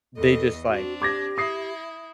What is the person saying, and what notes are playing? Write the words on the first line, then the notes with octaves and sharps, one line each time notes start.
they just, like
E2 A4 D#5
C4 D4 F#4
G4 D6 G#6 A#6
E4 D#6 C7